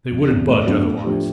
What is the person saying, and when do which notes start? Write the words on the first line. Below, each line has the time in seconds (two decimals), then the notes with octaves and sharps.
They wouldn't budge otherwise.
0.11 F1
0.29 E2 C#3
0.49 A2
0.67 F#3 B3 D4
0.85 A2
1.04 F3 A3 D4 G4